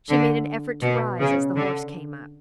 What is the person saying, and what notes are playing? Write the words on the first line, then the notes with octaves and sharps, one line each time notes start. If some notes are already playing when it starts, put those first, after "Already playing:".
She made an effort to rise as the horse came up.
D3
B2
C#3
D3